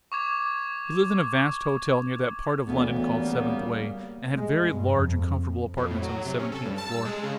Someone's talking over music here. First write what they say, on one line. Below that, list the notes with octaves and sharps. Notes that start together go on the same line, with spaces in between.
He lived in a vast hotel near that part of London called Seventh Way, and had very large and comfortable apartments on the seventeenth floor.
C#6 D6 G#6 E7
D2 C#3 E3 B3
G3 A#3
G#3
G2
F2
F2
A2
F#3
C3
C#4
A4
G2
A5
E6
G#3
C#3